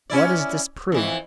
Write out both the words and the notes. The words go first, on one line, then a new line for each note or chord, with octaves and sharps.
What does this prove?
C#4 E4 D5
F2 E3